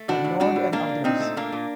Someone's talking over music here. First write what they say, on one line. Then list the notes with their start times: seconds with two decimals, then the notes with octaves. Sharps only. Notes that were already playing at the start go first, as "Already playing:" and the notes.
Barnard and others.
Already playing: A3
0.08 A2 D4 F#4
0.24 A2
0.40 A2 D4 F#4
0.56 A2
0.72 A#2 A#3 D4
0.89 A#2
1.04 A#2 C4 D#4
1.20 A3
1.36 A#2 A#3 D4
1.52 A#2